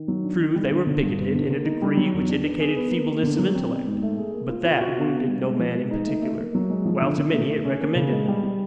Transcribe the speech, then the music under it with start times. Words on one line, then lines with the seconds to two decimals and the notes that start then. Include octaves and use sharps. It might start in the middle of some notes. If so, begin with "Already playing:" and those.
True, they were bigoted in a degree which indicated feebleness of intellect; but THAT wounded no man in particular, while to many it recommended them.
Already playing: D#3
0.08 F#3
0.24 D4
0.40 D#3
0.55 G3
0.71 D3
0.87 D3
1.03 G2
1.19 B3
1.35 D3
1.50 A#3
1.65 D#4
1.82 G3
1.97 F#3
2.13 E2
2.29 D4
2.45 B3
2.60 G#4
2.76 B3
2.91 A#3
3.07 A#3
3.23 D3
3.39 F#3
3.55 C4
3.71 B2
3.87 G#2
4.02 A3
4.18 G#4
4.34 A#3
4.49 F4
4.65 F4
4.81 F#4
4.96 B2
5.12 B3
5.28 G3
5.44 G#3
5.59 F3
5.75 G#3
5.91 D#4
6.06 A3
6.22 A3
6.38 A#3
6.55 F#3
6.70 G#3
6.85 F3
7.02 D3
7.18 D3
7.33 A3
7.49 A3
7.65 C#4
7.81 A#3
7.95 C#3
8.11 G#3
8.28 G3
8.43 G3